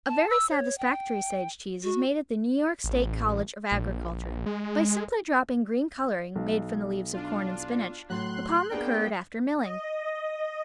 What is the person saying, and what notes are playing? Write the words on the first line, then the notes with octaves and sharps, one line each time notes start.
A very satisfactory Sage cheese is made at the New York State College of Agriculture by simply dropping green coloring, made from the leaves of corn and spinach, upon the curd, after milling.
A5
E6
C#5
G5
F#4
A1
A#1
G#3
B1
D4 F4
A2 F#3 C6 F#6
A#3 B3 D4 G#4 G5
D#5